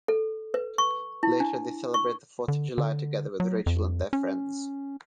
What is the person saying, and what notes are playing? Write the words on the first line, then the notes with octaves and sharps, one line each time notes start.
Later they celebrate the Fourth of July together with Rachel and their friends.
A4
B4
C#6
E4
D4
C#6
D3
D3
F#3
F2
C#4